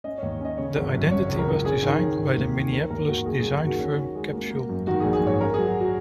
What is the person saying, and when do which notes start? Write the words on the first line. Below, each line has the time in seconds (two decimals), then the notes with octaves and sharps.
The identity was designed by the Minneapolis design firm Capsule.
0.04 C#4 D#5
0.18 D#2 C#5
0.40 C#4 D#5
0.57 C#3 C#5
0.76 G#1
0.94 F#2
1.11 C#3 C#5
1.30 C#2
1.39 A#4
1.47 C#3
1.65 C#4 G#4
1.83 D#3
2.00 C#4
2.19 D#3
2.37 D#2
2.54 D#3
2.72 C#4 A#4
2.90 D#2 A#4
3.08 D#2 F#4
3.26 F#1 G#4
3.40 F#3 G#4
3.53 A#4
3.62 D#3 F#4
3.79 C#4
3.97 C#4
4.15 G#3
4.33 A#3
4.51 A#3
4.69 F#2
4.87 D#3 F#4
5.00 A#1 G#4
5.13 G#4
5.23 G#2 C#5
5.40 C#4 A#4
5.54 F#3 G#4
5.67 F#4
5.80 F#4